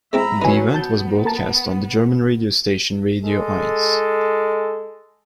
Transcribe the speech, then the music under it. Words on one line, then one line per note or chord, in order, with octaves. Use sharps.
The event was broadcast on the German radio station Radio Eins.
G#3 C4 E4 E5 A#5 B5
E3 F#3 C#4 D#4 B4 G#5
B3 A5 G6
A#3 A#4 A5
G#3 A4